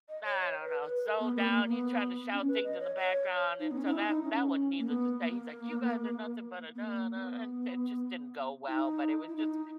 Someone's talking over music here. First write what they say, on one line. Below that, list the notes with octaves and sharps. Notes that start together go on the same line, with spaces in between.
I don't know, zoned out, he's tryna shout things in the background and so, that that one, needless to say He's like, "You guys are nothing but a da da," and it just didn't go well, but it was just
D#5
C#5
C#5
B4
B4
A#4
B3
A#3
A#3
B3
C#4
B4
D#5
C#5
C#5
D#4
B3
C#4
D#4
E4
D#4
C#4
A#3
B3
A#3
B3
A#3
B3
E4
D#4
E4
D#4